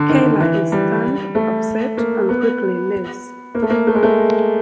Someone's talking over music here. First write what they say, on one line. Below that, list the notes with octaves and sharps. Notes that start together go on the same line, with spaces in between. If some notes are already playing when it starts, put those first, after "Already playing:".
Kayla is stunned, upset, and quickly leaves.
Already playing: D3
D#3
E3
G3
A3
A#3
B3
A#3
A3
A#3
A3
G#3
A3